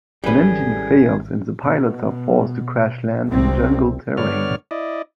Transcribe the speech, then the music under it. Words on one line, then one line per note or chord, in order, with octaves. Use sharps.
An engine fails and the pilots are forced to crash-land in jungle terrain.
G#1 A2 G3 C#4 E4 G#4 A4 B4
B2
F1 C2 C4
G2 D3 B3 C#5 D5 F6
E4 D5 D#5